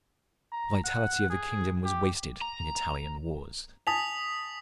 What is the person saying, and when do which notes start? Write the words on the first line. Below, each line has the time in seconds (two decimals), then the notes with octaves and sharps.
The vitality of the kingdom was wasted in Italian wars.
0.52 A#5
0.84 F#5
1.30 G#4
1.84 G4
2.42 A#5
3.87 G#5 A5 D#6 B6 F7